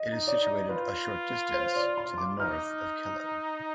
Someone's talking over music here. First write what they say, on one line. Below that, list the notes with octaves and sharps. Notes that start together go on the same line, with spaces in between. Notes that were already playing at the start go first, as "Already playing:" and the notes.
It is situated a short distance to the north of Kelloe.
Already playing: D#5
D#4
D5
D#4
F4 B4
C5
D5
C6
D6
D#4 F6